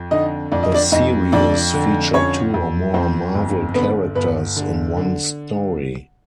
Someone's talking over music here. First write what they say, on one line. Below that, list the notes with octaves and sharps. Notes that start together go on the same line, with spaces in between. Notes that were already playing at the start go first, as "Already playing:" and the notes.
The series featured two or more Marvel characters in one story.
Already playing: F2
D3 D#4 D#5
F2 D5
D#5
D4 D5
F2 D#4 D#5
F2 D4 D5
D3
F2 C#4 C#5
F2
F2 C4 C5
G1
D3 B3 B4
G1 B3 B4
D3
D3